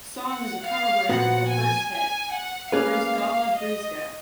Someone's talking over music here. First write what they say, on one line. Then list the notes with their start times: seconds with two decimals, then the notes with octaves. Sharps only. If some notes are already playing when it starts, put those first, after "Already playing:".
The song is a cover version of their first hit Brizgalna Brizga.
0.28 F#5
0.68 F5
1.09 A#2 F3 B3 F#4 F#5
1.50 G#5
1.91 G#5
2.32 F#5
2.72 A#3 C#4 G#4 B4 F5
3.55 D#5